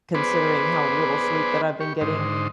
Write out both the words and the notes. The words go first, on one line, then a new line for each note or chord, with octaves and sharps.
considering how little sleep that I've been getting
B3 G#4 B4 C5 D5
G4 C#6
G#2 D3 D#4 C5